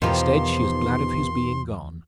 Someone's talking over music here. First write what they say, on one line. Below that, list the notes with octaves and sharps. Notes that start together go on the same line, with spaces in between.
Instead, she is glad of his being gone.
E2 B2 D#3 F3 F4 G4 A#5 C6